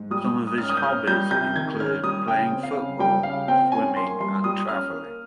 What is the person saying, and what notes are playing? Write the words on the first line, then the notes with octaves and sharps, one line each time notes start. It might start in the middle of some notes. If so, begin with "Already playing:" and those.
Some of his hobbies include playing football, swimming, and traveling.
Already playing: G#2
G3 D#6
G#2
D#6
C#4 F6
D#6
G6
C#4 F6
G3 G6
C3 G6
D#3 G#6
C#4 F6
G3 D#6
C#3 G5
C4
F5
C#3
G3 G5
C#3 F5
C4 G5
C#4 G#5
A#3 C6
G2 C6
G3 D#6
C#4 F6
A#3